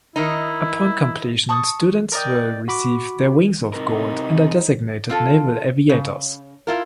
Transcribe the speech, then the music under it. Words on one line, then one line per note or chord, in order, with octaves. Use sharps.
Upon completion, students will receive their wings of gold and are designated naval aviators.
D#3 D#4 E4
A5 C#6 D#6
A#4 D5 D#5 G5
F#4 B5 D6
C3 D#4 A#4
C4 F4 A4
C#3
E4 F4 A#4